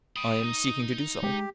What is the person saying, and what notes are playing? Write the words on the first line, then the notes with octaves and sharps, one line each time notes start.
"I am seeking to do so."
G5 B5 D#6
D#4
G#3 G4